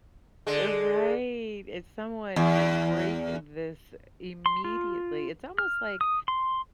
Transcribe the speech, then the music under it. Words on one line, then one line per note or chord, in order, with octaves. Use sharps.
Eh, right. If someone break this immediately, it's almost like
D3 G#3
E2
C6
F4
F6
D#6
C6